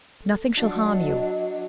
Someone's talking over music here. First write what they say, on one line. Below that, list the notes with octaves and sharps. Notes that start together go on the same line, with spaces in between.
Nothing shall harm you.
A4
F#3 D4 D#5